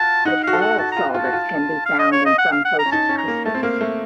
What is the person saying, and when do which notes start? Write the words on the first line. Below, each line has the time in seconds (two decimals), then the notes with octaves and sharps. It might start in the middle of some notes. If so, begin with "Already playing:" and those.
But "all" solvents can be found in some host crystals.
Already playing: F4 F#4 A5
0.25 D#4 F#5
0.43 F#4 F5
0.53 A4
0.61 F#5
0.78 F#4 A5
0.92 F4 A#5
1.14 F4
1.19 A5
1.25 F#4
1.33 F4
1.85 F5
1.99 D#5
2.12 C#5
2.26 D#5
2.38 F#5
2.52 F5
2.65 F#5
2.79 A#5
2.86 C#4
2.92 D#4 A5
3.09 C#4
3.18 A#5
3.28 A#3
3.45 A3 A5
3.55 C4
3.63 A#3 F5
3.81 A3